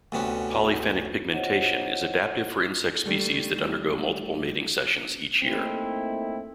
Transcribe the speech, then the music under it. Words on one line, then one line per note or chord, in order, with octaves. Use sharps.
Polyphenic pigmentation is adaptive for insect species that undergo multiple mating seasons each year.
D2 C3 B3 C#4
F4 F#4 C5 C#5 D#5 F#5
D#3 G3 A3
A3 A#3 C4 D#4 E4